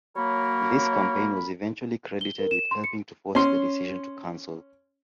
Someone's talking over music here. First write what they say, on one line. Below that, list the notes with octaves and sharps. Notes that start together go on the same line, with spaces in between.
This campaign was eventually credited with helping to force the decision to cancel.
F#3 A#3 A#4 C#5 B5
G7
A#4
E7
C6
C#7
C#4 C6